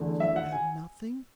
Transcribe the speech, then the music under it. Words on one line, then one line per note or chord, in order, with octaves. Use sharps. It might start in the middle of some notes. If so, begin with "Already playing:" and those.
"You will have nothing!"
Already playing: E2 D3 A3
E5
F#5
G#5